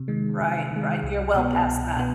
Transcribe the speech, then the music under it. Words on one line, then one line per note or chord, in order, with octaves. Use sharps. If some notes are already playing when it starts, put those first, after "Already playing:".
Right, right, you're well past that.
Already playing: C3
D#3 G#3
C3
D#3
G#3
C2
B2 B3
C2
B2 B3